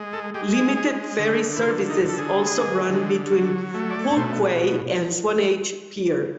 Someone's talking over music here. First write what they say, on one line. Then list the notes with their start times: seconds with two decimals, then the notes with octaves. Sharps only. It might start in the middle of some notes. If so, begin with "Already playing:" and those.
Limited ferry services also run between Poole Quay and Swanage Pier.
Already playing: G#3
0.13 A4
0.34 G#3 G4
0.56 G#4
0.77 G#3
1.19 D3
1.57 E4
1.62 D3 F4
1.90 D#4
2.04 D3 A4
2.18 G#4
2.47 G#3
2.89 D3
3.31 F#3
3.74 A3
3.90 D5
4.04 C#5
4.16 B2 C5